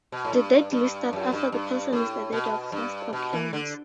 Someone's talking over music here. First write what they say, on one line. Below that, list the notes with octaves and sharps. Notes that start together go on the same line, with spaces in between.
The date listed after the person is the date of first occurrence.
B2
A2
G2
G2
F#2
G2
G2
A2
B2
G2
B2
E3
D3